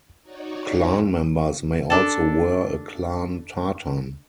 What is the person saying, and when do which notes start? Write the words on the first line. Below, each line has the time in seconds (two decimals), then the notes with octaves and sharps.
Clan members may also wear a clan tartan.
0.23 D#4 F#4 C#5 D5
1.90 D4 A4